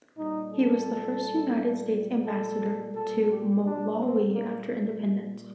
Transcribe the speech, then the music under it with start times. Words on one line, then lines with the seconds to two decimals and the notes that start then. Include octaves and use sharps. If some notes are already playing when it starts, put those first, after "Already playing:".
He was the first United States Ambassador to Malawi after independence.
0.18 A#2 G3 D#4
0.53 A4
2.26 A4
2.95 A#2 G3 A4
3.29 G4
3.64 D4
3.99 C4
4.33 A#3